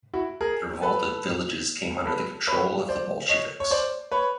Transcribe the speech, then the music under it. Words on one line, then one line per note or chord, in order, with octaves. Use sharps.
The revolted villages came under the control of the Bolsheviks.
E4 F#4
G#4 A#4
A4 B4
A4 B4
B4 C#5
C5 D5
C#5 D#5
C#5
C5 D5
B4 C#5